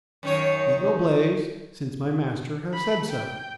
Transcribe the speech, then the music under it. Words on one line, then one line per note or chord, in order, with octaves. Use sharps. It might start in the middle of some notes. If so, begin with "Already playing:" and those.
"It will blaze, since my master has said so."
F#2 D#3 C#5
B5
G5